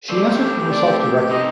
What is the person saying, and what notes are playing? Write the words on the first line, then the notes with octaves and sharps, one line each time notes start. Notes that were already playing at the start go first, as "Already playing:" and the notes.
She answered for herself directly.
A3 C4 D5
G4
G4
G4
D5
G4
G4
G4
C4 D#4 D#5